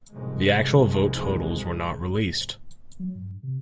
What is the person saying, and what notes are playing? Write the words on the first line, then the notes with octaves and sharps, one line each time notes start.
The actual vote totals were not released.
C2 F2 G#2 G#3
F#3
G2
C3